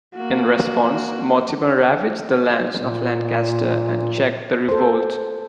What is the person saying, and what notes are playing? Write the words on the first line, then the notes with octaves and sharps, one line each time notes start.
In response, Mortimer ravaged the lands of Lancaster and checked the revolt.
A#3 F#4
A#2
A4 C5